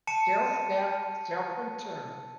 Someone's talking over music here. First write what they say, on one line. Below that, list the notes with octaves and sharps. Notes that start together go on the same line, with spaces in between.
Still stiff, still couldn't turn.
A5 C#7 D#7